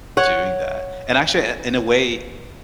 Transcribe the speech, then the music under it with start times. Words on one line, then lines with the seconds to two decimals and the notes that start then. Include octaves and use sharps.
doing that. And actually, i in a way,
0.17 C#5 F#5